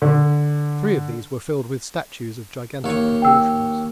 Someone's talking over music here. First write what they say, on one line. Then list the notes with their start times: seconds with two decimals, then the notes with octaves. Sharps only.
Three of these were filled with statues of gigantic proportions.
0.02 D3
2.84 D#2 C#5
3.22 G5 E6